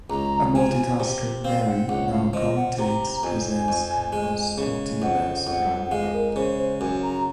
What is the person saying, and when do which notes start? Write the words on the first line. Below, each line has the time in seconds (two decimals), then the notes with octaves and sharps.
A multi tasker Merry now commentates, presents and hosts sporting events around the world.
0.10 C#2 A#5
0.55 F3 G#5
1.00 C3
1.44 C4 F5
1.67 F#5
1.89 C#2 F#5
2.11 F5
2.33 F3 D#5
2.56 F#5
2.79 C3 A#5
3.01 A#5
3.23 F2 G#5
3.68 F2
4.12 G#3
4.58 C#3
5.02 F2 F#5
5.47 F2 F#5
5.85 F#5
5.91 G#3 F5
6.14 A#4
6.36 C#3 C5
6.58 C5
6.81 F#2 G#5
7.03 A#5